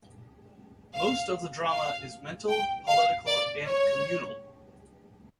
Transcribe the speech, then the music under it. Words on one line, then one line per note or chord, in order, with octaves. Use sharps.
Most of the drama is mental, political, and communal.
F5
F5
G5
F5
D5
C#5